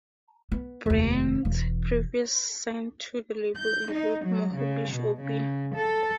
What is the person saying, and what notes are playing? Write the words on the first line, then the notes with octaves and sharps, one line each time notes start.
Bands previous signed to the label include Mo-Ho-Bish-O-Pi.
B3
F1 D#2
E1 E3
G6
D#4
F#3
C#3
B2
C#3
A4